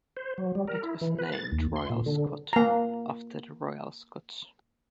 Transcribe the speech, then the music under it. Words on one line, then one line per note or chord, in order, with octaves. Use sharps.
It was named "Royal Scot" after the Royal Scots.
C5
F#3
G3
A#4
E4
E3
B4
A6
D#2
C6
A#2
D3
A#3 A#5